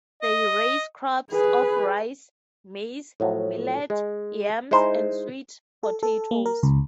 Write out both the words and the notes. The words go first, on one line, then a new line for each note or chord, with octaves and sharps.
They raise crops of rice, maize, millet, yams, and sweet potatoes.
D#5
G#4 B4
A2 F3 F#3
G#3
G#3 D#4 E4 C5
A4
A4
A#3
A#4
C#2